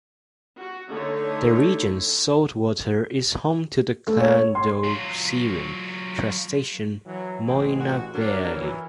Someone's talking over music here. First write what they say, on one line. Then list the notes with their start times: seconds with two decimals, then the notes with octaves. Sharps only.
The region's salt water is home to the cladoceran crustacean "Moina belli".
0.57 F#4
0.90 D3 A3 D#4 C#5
4.07 A3
4.20 C#5
4.55 C6
4.84 F#3 F4
7.06 E3 F#3
7.47 A1 G#3 C4
7.81 F#4
8.14 F#3 D4 A#4
8.51 E3